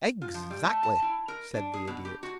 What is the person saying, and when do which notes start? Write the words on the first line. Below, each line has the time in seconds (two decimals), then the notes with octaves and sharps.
"Exactly," said the Idiot.
0.22 F4
0.34 F3
0.50 G3
0.64 A3
0.83 A5
1.02 E4
1.28 A#4
1.54 D4
1.74 G#4
1.87 B2
2.05 G4
2.23 F#4